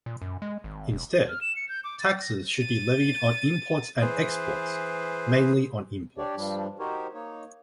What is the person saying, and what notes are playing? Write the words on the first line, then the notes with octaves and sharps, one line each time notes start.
Instead, taxes should be levied on imports and exports, mainly on imports.
A#2
F#2
G#3
G#1
E1
F6
E7
C#7
G6
D6
A6
A#6
A6 D#7
E3 G#4 B4 C5
D4 G4 C#5 D5
G2 F3 G3 D4
D#4 F#4 G4 A#4 C5 C#5
A#3 D#4 C#5